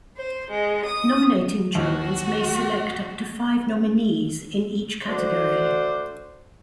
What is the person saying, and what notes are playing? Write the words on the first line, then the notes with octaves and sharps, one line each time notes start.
Nominating Juries may select up to five nominees in each category.
C5
G#3
D#6
D#2 F#4
A3 D4 F#4 C5